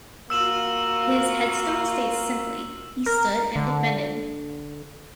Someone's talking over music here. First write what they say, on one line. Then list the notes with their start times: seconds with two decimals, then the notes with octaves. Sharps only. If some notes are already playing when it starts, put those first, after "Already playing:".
His headstone states simply:He stood and defended.
0.30 A#3 F4 F#4 E6 E7 F#7
3.06 A#4
3.56 D3